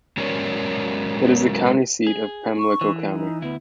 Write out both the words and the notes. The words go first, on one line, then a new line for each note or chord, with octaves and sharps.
It is the county seat of Pamlico County.
F#3 G#3 C#4 A#4 C#5 D5
G#4
C#6
E3
D#4
D2 B3 E4